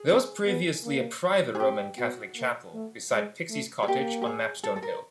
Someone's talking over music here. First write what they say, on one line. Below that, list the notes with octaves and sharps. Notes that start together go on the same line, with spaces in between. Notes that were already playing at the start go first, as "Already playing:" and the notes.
There was previously a private Roman Catholic chapel, beside Pixies Cottage on Mapstone Hill.
Already playing: G#4
C4
B3
A#3
G#4
C4 G4
B3 F#4
A#3
A3
G#3
A3
G#4
A#3 G4
G4
G#4
A4
A4
A#4